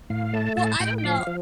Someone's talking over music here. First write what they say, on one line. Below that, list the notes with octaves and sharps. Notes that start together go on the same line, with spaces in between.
Well, I don't know
A2 F5
A3 A5
A2 A5
A2 G5
G5
F3 F5
F3